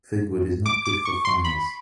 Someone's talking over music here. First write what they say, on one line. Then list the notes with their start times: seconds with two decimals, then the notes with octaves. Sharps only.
Fig wood is not good for fires.
0.66 D6
0.85 D6
1.05 C#6
1.25 C6
1.44 B5